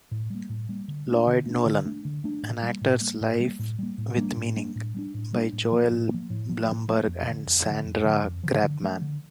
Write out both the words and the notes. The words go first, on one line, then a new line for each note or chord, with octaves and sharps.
"Lloyd Nolan: An Actor's Life With Meaning," by Joel Blumberg and Sandra Grabman.
A2
G3 A#3
A2
G3 A#3
D3
A3 D4
D3
A3 D4
D3
A3 D4
D3
A3 D4
A2
G3 A#3
A2
G3 A#3
A2
G3 A#3
A2
G3 A#3
A2
G3 A#3 D4
A2
G3 A#3 D4
A2
G3 A#3 D4
A2
G3 A#3 D4
A2
F3 A#3
A2
F3 A#3
A2
F3 A#3
A2
F3 A#3
F2
D3 F3
F2
D3 F3
F2
D3 F3
F2
D3 F3
D3
F3 A3
D3